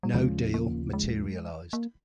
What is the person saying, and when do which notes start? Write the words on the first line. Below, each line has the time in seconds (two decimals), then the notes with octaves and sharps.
No deal materialized.
0.03 G3
0.14 D#2 C#3 F3 G#3
0.54 A#3
0.93 G#3
1.73 A#3